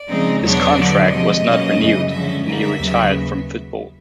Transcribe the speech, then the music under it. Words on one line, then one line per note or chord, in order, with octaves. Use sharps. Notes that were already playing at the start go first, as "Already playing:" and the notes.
His contract was not renewed and he retired from football.
Already playing: D5
C#3 F3 G#3 C4 D#4
E2 B2 F#3 B3 D4 C#5
D3 F#3 B3 D5
C3 F3 G#3 D#5
B2 F#3 A#3 C#4
F#2 C#3 E3 G3
D3 F3 G#3 C#4 E5
D3 G3 A#3 E5
D#2 C#3 F#3 B3